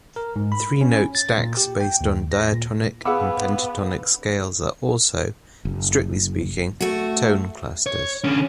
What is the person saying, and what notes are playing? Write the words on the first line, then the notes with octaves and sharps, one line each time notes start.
Three-note stacks based on diatonic and pentatonic scales are also, strictly speaking, tone clusters.
A#4
G#2
B5
C#4
A6
A#2
G4
G5
D#2
A#6
A#2
B3 G#4 F5 F#5 B5 D6 E6
F#1
A3 F#4
C#5
D3 C#4